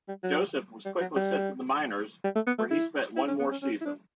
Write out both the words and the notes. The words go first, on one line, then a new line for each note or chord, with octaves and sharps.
Joseph was quickly sent to the minors, where he spent one more season.
G3
F#3
G3
F#3
G3
G3
A3
B3
A3
E4
E4
C#4
B3
C#4
C#4
E4
D4